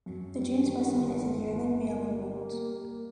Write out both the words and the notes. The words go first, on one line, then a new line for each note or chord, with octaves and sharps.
The June specimen is a yearling male in moult.
F#2
G3
D#3
G1
G1
G1
A#3
G3
A#3
A#3